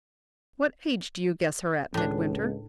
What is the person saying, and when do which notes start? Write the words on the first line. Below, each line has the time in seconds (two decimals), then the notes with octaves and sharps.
What age do you guess her at, Midwinter?
1.94 C#2 A2 D4